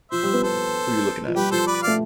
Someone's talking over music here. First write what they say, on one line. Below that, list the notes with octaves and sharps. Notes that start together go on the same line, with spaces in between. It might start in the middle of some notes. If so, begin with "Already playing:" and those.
Who You Looking At?
F3 C5 E5
G3
B3
B3 A4 C5
F3
G3 G4 B4
F3 A4 C5
B4 D5
A3 D5 F5